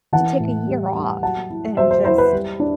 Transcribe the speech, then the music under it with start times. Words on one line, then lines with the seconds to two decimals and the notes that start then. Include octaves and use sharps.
to take a year off, and just,
0.12 E3 F#5 A5
0.40 A2
0.67 G3
0.95 G3
1.22 F#3 F#5 A5
1.50 E4
1.77 F#3 C5 E5
1.91 C5
2.05 E4 C5
2.18 B4
2.33 G3
2.60 D4